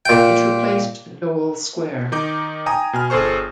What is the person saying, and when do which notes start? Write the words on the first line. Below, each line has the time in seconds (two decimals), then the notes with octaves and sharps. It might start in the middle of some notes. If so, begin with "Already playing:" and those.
It replaced the Doel Square.
0.05 A#2 G5
2.12 D#3 D#4 D6 G6
2.66 G5 G#5 A#5 D#6
2.93 B2 G#5 F6
3.10 G1 G#4 A4 C5 C#6